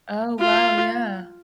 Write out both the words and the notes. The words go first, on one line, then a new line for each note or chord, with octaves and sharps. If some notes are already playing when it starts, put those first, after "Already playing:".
Oh wow, yeah.
F4